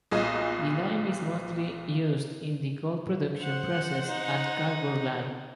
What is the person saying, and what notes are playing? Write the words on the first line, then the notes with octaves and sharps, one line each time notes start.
The lime is mostly used in the gold production process at Kalgoorlie.
B1 A#2 G#4 D#5
C5 F#5
D#4